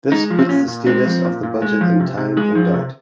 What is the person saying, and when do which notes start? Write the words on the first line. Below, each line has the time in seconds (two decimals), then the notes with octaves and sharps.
This put the status of the budget in time in doubt.
0.12 G#3 D#4
0.30 F3
0.39 C4
0.49 A#2 C#4
0.68 A#2
0.86 G#3 C4
1.06 F3
1.25 A#2
1.43 A#2
1.62 G#3
1.81 F3
2.00 C3
2.17 C3
2.37 G#3 G#4
2.55 F3
2.74 C3